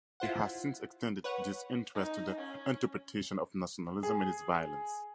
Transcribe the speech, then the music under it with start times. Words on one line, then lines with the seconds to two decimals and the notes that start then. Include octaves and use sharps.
He has since extended this interest to the interpretation of nationalism and its violence.
0.20 E4 F4 C5 F#5
1.24 B4 C#5 F#5
1.94 D#4
2.38 C#4
4.03 G#4